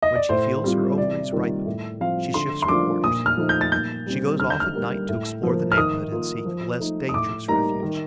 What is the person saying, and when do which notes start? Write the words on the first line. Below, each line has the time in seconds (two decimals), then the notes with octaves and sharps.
When she feels her ovaries ripen, she shifts her quarters; she goes off at night to explore the neighbourhood and seek a less dangerous refuge.
0.02 D#5
0.15 D5
0.29 A2 C5
0.64 G3 C4 F4
0.98 C3 D5
1.32 D#3 G3 A#3 F4
1.66 A2
2.00 F3 C4 F4 F5
2.34 D3 C6
2.62 C6
2.68 F3 A#3 D4 F4 D6
3.04 A#2 D#6
3.26 F6
3.37 F3 A3 D#4
3.49 G6
3.61 A6
3.72 A#2 G6
4.07 G3 C4
4.40 D3 F6
4.50 G6
4.60 F6
4.75 G3 A#3
5.09 A2
5.43 F3 A#3
5.72 F6
5.77 D#3 D#6
6.12 A#3 F4
6.45 F3
6.80 A3 D#4
7.09 D#6
7.14 A2 D6
7.48 G3 A#3 D#4 A#5
7.82 D#3